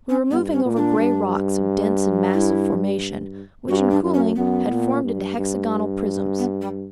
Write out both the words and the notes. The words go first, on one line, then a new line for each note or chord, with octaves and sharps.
We were moving over grey rocks of dense and massive formation, which in cooling had formed into hexagonal prisms.
C#4
G2 B3
C#4
A#2
D4
G2
E4
G2 F#4
D4
F#2
C#4
F#2 B3
A#2
G2
G2
B3
G3